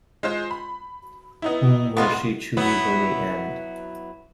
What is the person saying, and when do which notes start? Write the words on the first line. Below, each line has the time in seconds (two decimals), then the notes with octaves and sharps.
Whom will she choose in the end?
0.23 G#3 F4 C5
0.51 B5
1.42 B3 D#4 E4
1.97 A#2 G#3 B3 F4 F#4
2.57 F#3 B3 E4